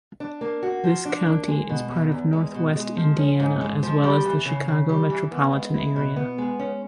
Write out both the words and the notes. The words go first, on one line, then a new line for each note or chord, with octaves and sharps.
This county is part of Northwest Indiana as well as the Chicago metropolitan area.
D4
A#3
F#4
F3
D4
A#3
G#3
B2
E2
E2
G#3
B2
G#3
F3
C#4
G#2
G#3
F3
G3
E3
C#3
C#3
G3
E3
B3
G#3
E4
B2
B3
G#3
C#4